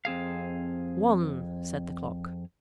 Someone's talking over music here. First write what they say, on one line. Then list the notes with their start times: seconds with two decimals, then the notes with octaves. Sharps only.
"One!" said the clock.
0.05 F2 C4 G#4 F5